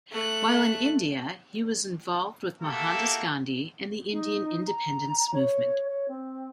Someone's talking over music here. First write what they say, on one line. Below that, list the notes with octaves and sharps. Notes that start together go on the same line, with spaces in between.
While in India, he was involved with Mohandas Gandhi and the Indian independence movement.
A3 F#6
A3 A#3 E4 F#4 G4 A4
D#4
A#5
C#5
C#5
C4